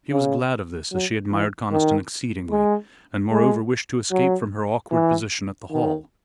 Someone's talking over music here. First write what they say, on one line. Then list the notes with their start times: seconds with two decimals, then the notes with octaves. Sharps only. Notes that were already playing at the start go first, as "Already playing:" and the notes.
She was glad of this as she admired Conniston exceedingly, and, moreover, wished to escape from her awkward position at the Hall.
0.11 C#3
0.92 F#3
1.31 E3
1.71 D#3
2.50 G#3
3.31 G#3
4.11 F#3
4.91 E3
5.71 D#3